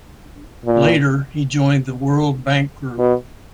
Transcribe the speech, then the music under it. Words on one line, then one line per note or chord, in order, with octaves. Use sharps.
Later he joined the World Bank Group.
A#2
B2